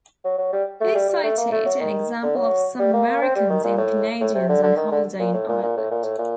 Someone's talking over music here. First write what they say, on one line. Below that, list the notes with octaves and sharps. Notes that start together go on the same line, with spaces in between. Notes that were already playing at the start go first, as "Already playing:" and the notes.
He cited an example of some Americans and Canadians on holiday in Ireland.
F#3
F#3
G3
A3
G3
G3
A3
A#3
A3
F#3
D#3
D3
F#3
G3
A#3
A#3
C4
G3
D#3
A#2
A2
A2
C3
D3
D3
D#3
D3
A#2
A2
A#2
A#2
A2
A#2
A2
A#2